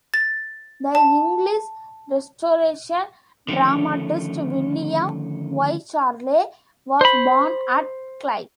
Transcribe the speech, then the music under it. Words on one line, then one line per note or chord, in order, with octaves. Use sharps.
The English Restoration dramatist William Wycherley was born at Clive.
A6
A5
D3 D#3 F3 A3 C#4
C5 B5